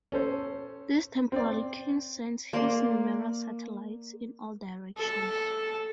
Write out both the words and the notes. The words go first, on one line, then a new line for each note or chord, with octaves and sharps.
This temporary king sends his numerous satellites in all directions.
C#4 A4 C5
C4 D5
A#3 D5 C6
A4